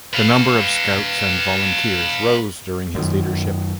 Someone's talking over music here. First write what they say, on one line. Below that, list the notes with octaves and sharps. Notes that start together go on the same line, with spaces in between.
The number of Scouts and volunteers rose during his leadership.
B4 F5
F#2 D#3